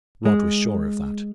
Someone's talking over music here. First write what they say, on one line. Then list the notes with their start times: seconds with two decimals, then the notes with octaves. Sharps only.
Rod was sure of that.
0.25 G#3